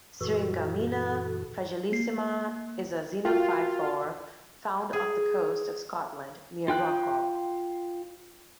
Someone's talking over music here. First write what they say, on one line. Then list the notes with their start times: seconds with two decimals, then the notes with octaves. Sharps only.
Syringammina fragilissima is a xenophyophore found off the coast of Scotland, near Rockall.
0.21 F#2 A#2 E3 F#4 A4
1.92 A#3 C7
3.25 F4 F#4 A#4 G5
4.93 G#4
6.68 F4 G5 F#6